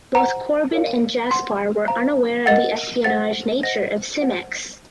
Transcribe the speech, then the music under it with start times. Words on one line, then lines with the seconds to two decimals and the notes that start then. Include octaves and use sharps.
Both Corbin and Jaspar were unaware of the espionage nature of Simex.
0.14 C5 F#5 A#5
0.72 A#4 C#5 F5
1.31 C5 F#5 C6
1.88 C5 F5 A#5
2.46 A#4 D#5 F#5 A6
3.04 C5 F#5 A6
3.63 C5 D#5 F#5 A#6
4.21 C5 F#5